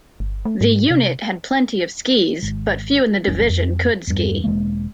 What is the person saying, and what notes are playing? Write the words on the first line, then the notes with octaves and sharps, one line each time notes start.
The unit had plenty of skis but few in the division could ski.
G1
A3
G#2
C3
G#1
D1 G1 C#4
F2
E2 G2
E1 C#2 G#3 A#3